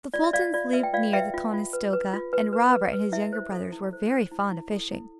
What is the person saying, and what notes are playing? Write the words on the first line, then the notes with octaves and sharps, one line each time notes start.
The Fultons lived near the Conestoga, and Robert and his younger brothers were very fond of fishing.
F4 D5
E5
F4 D5 F5
F4 D5
B4 E5
G5
F4 D5 F5
B4 E5 G5
F4
F4
B4
B4
F4
B4
B4
B4
B4
E4 E5
C5
A4
E4
C5
C5
E4
E4
A4
E4